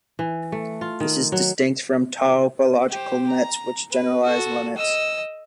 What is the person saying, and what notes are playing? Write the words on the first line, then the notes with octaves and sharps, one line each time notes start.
This is distinct from topological nets which generalise limits.
E3
A3
F4
D#3
F#3
G4 C5
A#5
B4
F#4 A4
D#5 E6